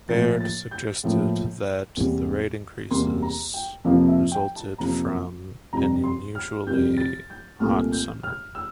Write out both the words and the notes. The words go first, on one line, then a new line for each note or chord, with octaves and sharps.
Baird suggested that the rate increases resulted from an unusually hot summer.
A2 F3 A#3 A6
A6
G6
A2 F3 A#3
E2 C3 G3 A#3
E2 C3 G3 A#3 C6
A#5
G5
F2 C3 F3 A#3 F5
E5
G5
A5
F2 C3 F3 A#3 A#5
F2 C3 G3 A#5
C6
F6
F2 C3 G3 G6
A6
G6
C2 A#2 A3 F6
G6
F6
E6